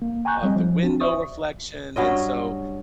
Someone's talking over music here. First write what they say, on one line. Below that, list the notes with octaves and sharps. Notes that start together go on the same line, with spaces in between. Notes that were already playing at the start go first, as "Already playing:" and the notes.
of the window reflection, and so
A#3
G5 G#5 A#5 C#6 F#6 G6
F#3 G3 C4 D#5
F3
C4 D4 F#4
C5 D5 E5 C#6 D#6
G2 F#3 C#4 D#5